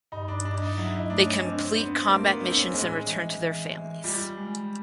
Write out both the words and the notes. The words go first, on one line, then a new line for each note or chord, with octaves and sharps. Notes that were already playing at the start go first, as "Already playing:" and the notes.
They complete combat missions and return to their families.
G2 D#4
D4
G2 D4
D#4
F#3 E4
D#4
A3 D4
C#4
C4 D4
C4
B3 D4
A3 A#3
B3
C4 D4
C#4
A2 G#3
E3
E3
E3
G3 F4
G#3